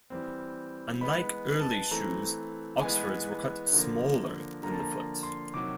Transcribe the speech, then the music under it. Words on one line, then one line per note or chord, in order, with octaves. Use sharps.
Unlike early shoes, Oxfords were cut smaller than the foot.
E3 G3 C4
E3 G#3 B3 B5
A5
E3 A3 C4 A#5
E3 G#3 B3 G#5
D3 F3 A#3
D3 F3 A#3 A#5
A5
A#5
C6
C3 D#3 F#3 D6